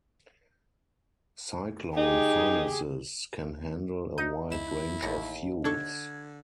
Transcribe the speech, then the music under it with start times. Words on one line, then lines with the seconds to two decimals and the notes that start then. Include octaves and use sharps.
Cyclone Furnaces can handle a wide range of fuels.
1.97 D#4 G4 G#4
4.18 D#4 G6 D#7
4.52 C#2 E4 E7
5.03 A1 D#2 A#6 C#7
5.64 D3 D4 A4 C#6 G#6